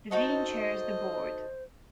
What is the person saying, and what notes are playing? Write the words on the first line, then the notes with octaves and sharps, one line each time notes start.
The Dean chairs the Board.
D#4 F#4 A4 C5 D#5